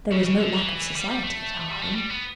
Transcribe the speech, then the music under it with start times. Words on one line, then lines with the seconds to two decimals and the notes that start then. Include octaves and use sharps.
There was no lack of society at our home.
0.11 C#3
0.26 C#3
0.40 D3
0.54 E3
0.97 G3
1.11 G3
1.24 A3
1.71 G3
1.81 A3
1.95 G3
2.10 B3